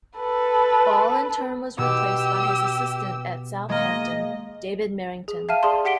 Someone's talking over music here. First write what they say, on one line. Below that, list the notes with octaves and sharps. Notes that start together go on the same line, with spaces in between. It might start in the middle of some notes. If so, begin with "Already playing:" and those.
Ball in turn was replaced by his assistant at Southampton, David Merrington.
A4 B4
B2 G4 E6
G#3 A#3 D#5
G#4
E5 F5 G5 A5 F6 D#7
G#4 D5 A5 C6
G4 F#5 B6 D7 G7